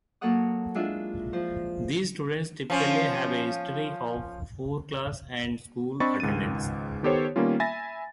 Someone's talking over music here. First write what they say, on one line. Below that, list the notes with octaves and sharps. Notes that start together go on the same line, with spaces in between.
These students typically have a history of poor class and school attendance.
F#3 A#3 A4 C#5 F#5 D#6
G#3 D4 E4 F4 E5
F3 C5
F3 C#4
C4 D4 D#5 B5 C#6 A6
C#2 G#2 D#3 A6 D#7
D#3 B3 G4 A4 C5 C#5
D#3 G3 A#3 B3 C#4 F4
E5 G#5 B5 A6 A#6